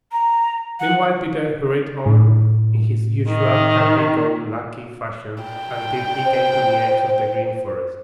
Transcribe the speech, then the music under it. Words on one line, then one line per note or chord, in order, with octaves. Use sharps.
Meanwhile Peter hurried on in his usual happy-go-lucky fashion until he came to the edge of the Green Forest.
A#5
F#5
A2
D#3
G5
C5